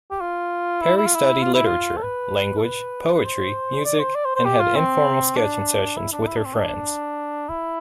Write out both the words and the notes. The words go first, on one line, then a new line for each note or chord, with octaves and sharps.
Perry studied literature, language, poetry, music and had informal sketching sessions with her friends.
G4
F4
E4
E4
F4
E4
F4
E4
F4
A4
B4
A4
B4
B4
C5
D5
C5
D5
C5
C5
G4
F4
C4
D4
E4
D4
E4
D4
C4
D4
E4